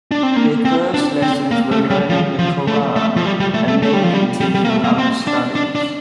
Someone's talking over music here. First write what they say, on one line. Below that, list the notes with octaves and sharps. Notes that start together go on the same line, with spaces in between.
Their first lessons were learning the Quran and then continue other studies.
D4
C4
A#3
C4
D4
C4
A#3
A3
G3
F3
F3
A3
A3
F3
G3
G3
A3
A3
A3
G3
F3
G3
G3
G3
A#3
A3
A#3
C4
D4
D4
D4